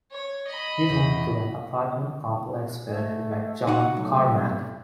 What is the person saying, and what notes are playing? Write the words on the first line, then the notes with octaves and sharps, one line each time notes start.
He moved to an apartment complex where he met John Carmack.
C#5
D#5 B5
E2 B2
A3
D#4 F#4
B1 A3